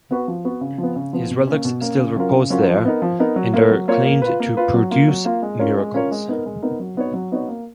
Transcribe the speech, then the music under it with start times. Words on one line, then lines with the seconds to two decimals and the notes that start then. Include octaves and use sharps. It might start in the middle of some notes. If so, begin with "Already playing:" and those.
His relics still repose there and are claimed to produce miracles.
0.11 B3 F#4 B4
0.28 F3
0.45 B3 F#4 B4
0.61 C#3
0.78 F3 B3
0.96 C#3
1.13 F3 B3
1.31 B2
1.47 A#3 C#4
1.65 B2
1.81 A#3 C#4
1.99 C#3
2.16 F#3 C#4 F4 A#4
2.33 C#3
2.50 F#3 C#4 F4 A#4
2.68 F3
2.85 B3 D#4 A#4
3.02 F3
3.19 B3 D#4 A#4
3.36 F#3
3.54 A#3 F4 A#4 C#5
3.71 F#3
3.88 A#3 F4 A#4 C#5
4.05 A#3
4.22 F4 B4
4.40 A#3
4.57 F4 B4
4.74 F#3
4.91 A#3 F4
5.08 F#3
5.25 A#3 F4
5.42 G#3
5.59 C#4 F4 A#4 C#5
5.77 G#3
5.94 C#4 F4 A#4 C#5
6.11 G#3
6.28 B3 D#4 A#4
6.46 G#3
6.62 B3 D#4 A#4
6.80 F#3
6.97 B3 D#4 F#4 C#5
7.14 F#3
7.32 B3 D#4 F#4 C#5
7.48 A#3